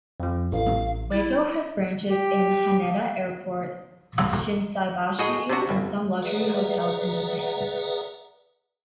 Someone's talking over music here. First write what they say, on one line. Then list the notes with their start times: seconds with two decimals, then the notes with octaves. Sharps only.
Wako has branches in Haneda Airport, Shinsaibashi, and some luxury hotels in Japan.
0.20 F2 F3
0.52 A1 F5
1.12 E4 A6
2.10 G4
5.19 A2 F#4 G#4 D#5
5.49 C3 D4 F#4
5.68 G1 C2
6.22 G#4 B4 D5 E5 F#5 A#5